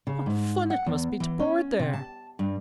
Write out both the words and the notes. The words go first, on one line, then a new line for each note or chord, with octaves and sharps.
"What fun it must be to board there!"
C#3
G#2
F#5
E2
E3
C#4
C3
A5
G2